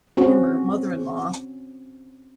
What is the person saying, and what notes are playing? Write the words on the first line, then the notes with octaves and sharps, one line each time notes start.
former mother-in-law
C4 C#4 F#4